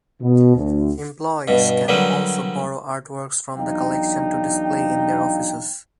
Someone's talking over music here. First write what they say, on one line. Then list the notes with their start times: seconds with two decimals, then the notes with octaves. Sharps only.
Employees can also borrow art works from the Collection to display in their offices.
0.22 B2
0.55 D2
1.48 G2 B2
1.88 D3 F#3 G3 A#3 B4
3.57 E2 F#3 D4 D#4 F5 G5